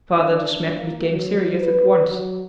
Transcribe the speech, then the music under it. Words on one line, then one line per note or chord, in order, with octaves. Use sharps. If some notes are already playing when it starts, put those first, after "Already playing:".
Father De Smet became serious at once.
D4
A#3
F#3
B4
F#3